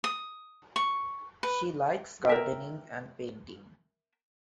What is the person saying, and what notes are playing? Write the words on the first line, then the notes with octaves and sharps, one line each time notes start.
She likes gardening and painting.
D#6
C#6
B4
A#4 E5 G5